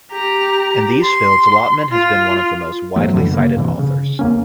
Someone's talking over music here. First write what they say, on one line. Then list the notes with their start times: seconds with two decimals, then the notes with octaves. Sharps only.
In these fields, Lotman has been one of the most widely cited authors.
0.12 G4 A#5
1.03 C6
1.92 F4
2.96 G#2 F3 F#3 A3
3.15 F#2 D3 E3 A3
3.31 C#3 A#3
3.56 G2 C3 E3
3.79 C#3
4.19 E2 A#3 C#4